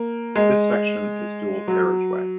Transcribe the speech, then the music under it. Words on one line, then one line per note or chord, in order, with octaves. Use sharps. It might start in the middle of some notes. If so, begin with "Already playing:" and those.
This section is dual carriageway.
Already playing: A#3
G#3
F#3